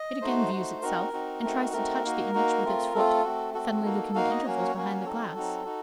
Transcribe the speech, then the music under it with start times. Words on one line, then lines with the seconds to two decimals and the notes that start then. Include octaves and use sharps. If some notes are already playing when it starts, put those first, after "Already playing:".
It again views itself, and tries to touch the image with its foot, suddenly looking at intervals behind the glass.
Already playing: D#5
0.22 A3 D#4 F#4 C5
0.52 A3 D#4 F#4
0.82 C4 D#4 F#4 A#4
1.13 C4 D#4 F#4
1.43 A3 C4 D#4 F#4
1.73 A3 C4 D#4 F#4 A#4
2.04 A#3 D#4 F#4
2.34 A#3 D#4 F#4
2.64 A3 C4 F4
2.94 A3 C4 F4 A4
3.24 A3 C4 F#4
3.54 A3 C4 F#4 A4
3.84 A#3 D#4 F#4
4.14 A#3 D#4 F#4 F5
4.31 D#5
4.44 F#3 A#3 C#4 F#4 C#5
4.75 F#3 A#3 C#4 F#4
5.05 F#3 C4 D#4 F#4 A4
5.35 F#3 C4 D#4 F#4
5.65 D#4 F#4